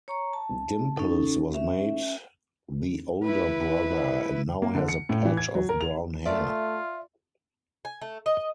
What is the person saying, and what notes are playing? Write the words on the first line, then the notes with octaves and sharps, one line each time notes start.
Dimples was made the older brother and now has a patch of Brown Hair.
C#5 A#5 C#6
A5
C#4 D#4 A4
C#4 E5
E4 B4
A#3
D3
C#7
A2
E3
G#6
F#3
A#4
F7
A3 F4 D5 E5
G#5
A3
D#5